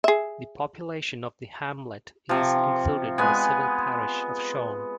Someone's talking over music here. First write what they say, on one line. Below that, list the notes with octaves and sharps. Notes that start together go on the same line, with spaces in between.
The population of the hamlet is included in the civil parish of Shorne.
G#4 E5
C3 F3
G#3 B3 G#5